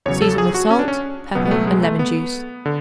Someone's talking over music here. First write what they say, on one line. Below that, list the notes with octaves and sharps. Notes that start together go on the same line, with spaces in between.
Season with salt, pepper and lemon-juice.
E2 C#3 F#3 C#5
A4
G#4
F#4
C#4
D4
C#4
C#2 B2 F#3 B3
B3
A3
G#3
A3
B3
D3